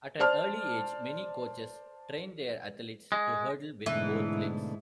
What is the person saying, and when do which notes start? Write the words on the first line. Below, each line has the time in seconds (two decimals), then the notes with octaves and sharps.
At an early age, many coaches train their athletes to hurdle with both legs.
0.20 C5 D5 A5 F6
3.12 G#3
3.86 G#2 B2 D3 E3 A3